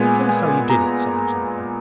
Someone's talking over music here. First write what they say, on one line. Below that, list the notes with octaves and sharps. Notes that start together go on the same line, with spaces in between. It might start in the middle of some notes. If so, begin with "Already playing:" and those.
Tell us how you did it!' said Nazarka.
Already playing: A#2 G#3 B3 G#5
G#5
A#5